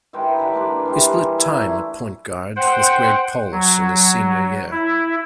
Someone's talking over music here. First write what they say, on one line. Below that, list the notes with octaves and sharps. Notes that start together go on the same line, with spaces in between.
He split time at point guard with Greg Paulus in his senior year.
D#3 E3 G#3 G5
D3 B4 B5
G#3 A#3 D4 B4
E3 G3 G#3
E4
A3 D4
C5 F#5 G5
F#3
E4